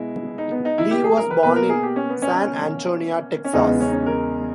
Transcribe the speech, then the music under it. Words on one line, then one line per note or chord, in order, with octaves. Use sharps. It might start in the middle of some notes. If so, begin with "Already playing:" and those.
Lee was born in San Antonio, Texas.
Already playing: B2 G#3 E4
D#4
B3
D#4
E4
G4
G#4
A#4
B4
B2 A#3 B4
A#4
G#4
G4
C#4
B3
C#4
C#4
C#4
E2 C#3 G#3 D#4
B3
C#4
D#4
C#4
A#4